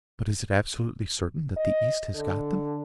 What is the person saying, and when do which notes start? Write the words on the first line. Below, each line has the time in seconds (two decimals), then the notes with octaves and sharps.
"But is it absolutely certain that the East has got them?"
1.57 D#5
2.15 D3